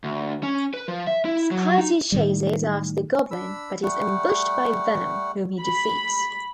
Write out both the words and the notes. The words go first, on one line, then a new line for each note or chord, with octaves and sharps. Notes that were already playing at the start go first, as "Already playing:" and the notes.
Spidey chases after the Goblin, but is ambushed by Venom, whom he defeats.
D2
C#4
B4
F3
E5
E4
F#3
D#4
A2 D#3 G3
D4 B5 E6
G3 A3 F#5
B5